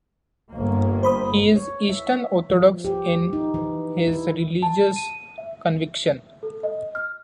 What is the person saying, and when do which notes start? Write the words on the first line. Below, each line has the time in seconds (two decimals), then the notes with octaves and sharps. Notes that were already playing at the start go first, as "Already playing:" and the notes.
He is Eastern Orthodox in his religious conviction.
0.51 G1 A#3
1.03 C5 B5 D#6
1.56 C#5
1.89 E5
2.50 F3
2.85 G4
3.33 D#4
3.54 E3
4.08 E4
4.63 A5
4.96 D#7
5.38 E5
6.43 A4
6.63 D#5
6.95 F6